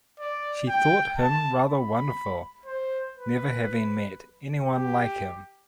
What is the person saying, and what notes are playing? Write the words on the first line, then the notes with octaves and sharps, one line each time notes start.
She thought him rather wonderful, never having met anyone like him.
D5
G5
A5
B5
C5
B4
G4